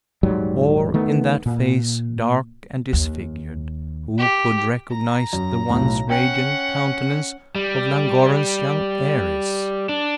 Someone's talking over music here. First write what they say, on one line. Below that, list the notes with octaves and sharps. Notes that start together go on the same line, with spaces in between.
Or in that face, dark and disfigured, who could recognise the once radiant countenance of Llangorren's young heiress?
D#1 G#2 F#3 G3
D#3 A3 B3
A#2
D#2
G4
A#5
F#2
B1 A2
C#4 F#5 G5
G3
D4